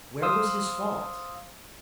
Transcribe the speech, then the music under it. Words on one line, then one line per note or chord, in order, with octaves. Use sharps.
Where was his fault?
C5 F5 C6 D#6 E6